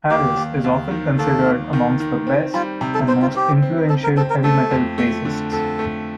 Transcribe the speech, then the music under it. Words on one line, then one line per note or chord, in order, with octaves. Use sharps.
Harris is often considered among the best and most influential heavy metal bassists.
D#2 G4
D#2
D#2
D#3
D#2 A4
D#2
D#3
D#3
C4
G3 F4
C3
A4
C4 C5
F4
C4 G4
C4
C4 A4
A#4
C4 A4
A#4
A3 A4
F2
A3
D3
F2 A4
A3